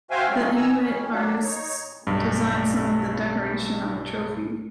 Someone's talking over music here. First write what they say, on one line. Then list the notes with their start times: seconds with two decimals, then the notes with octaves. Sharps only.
The Inuit artists designed some of the decoration on the trophy.
0.11 F#4 C5 E5 F5 G5 G#5
0.28 F#3 G#3 A3 C4 C#4 F4
0.56 D#3 B3 G#5 A#5 E6
0.79 F2 C#4
1.10 F#3 A#3 D4
1.43 D#4 C#5
2.07 B1 G2